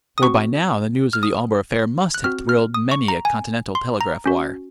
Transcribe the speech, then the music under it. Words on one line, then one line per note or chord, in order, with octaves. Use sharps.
For by now the news of the Omber affair must have thrilled many a Continental telegraph-wire....
D#6
C4 F#4 C#6
F6
D#6
F#6
C4 F#4 F6
F6
D#6
C#6
A#5
G#5
C6
A#5
C#4 F#4